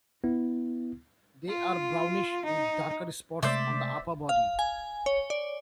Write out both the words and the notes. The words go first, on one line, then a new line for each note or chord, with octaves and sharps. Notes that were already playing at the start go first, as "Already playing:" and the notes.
They are brownish with darker spots on the upper body.
B3 E4
F4
D#4
C3 G#3 A3 C5 D5 E5
F5
G#5
C#5
D5